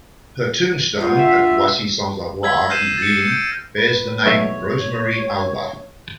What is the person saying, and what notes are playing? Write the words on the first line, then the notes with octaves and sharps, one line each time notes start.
Her tombstone at Boissy-sans-Avoir, Yvelines, bears the name Rosemarie Albach.
G2 F4 F#4 G5
E5
E6 G#6 B6
F6 G6 A#6 C7 D#7 E7
A6 C#7
G6 D7
B4
B1 A3 C#5 E5